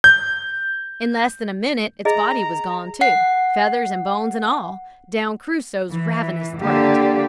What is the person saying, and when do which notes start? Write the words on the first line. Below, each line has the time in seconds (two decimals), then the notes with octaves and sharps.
In less than a minute its body was gone too--feathers and bones and all--down Crusoe's ravenous throat.
0.04 G6
2.05 G#4 D#5 A#5
3.01 F#5 C7
5.92 E3
6.62 D3 A#3 G4 D5